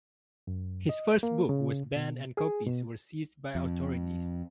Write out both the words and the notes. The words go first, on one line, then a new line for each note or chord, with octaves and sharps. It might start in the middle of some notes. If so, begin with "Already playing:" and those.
His first book was banned and copies were seized by authorities.
F#2
D#5
A#3
C#3
B2
G#4
B2
F2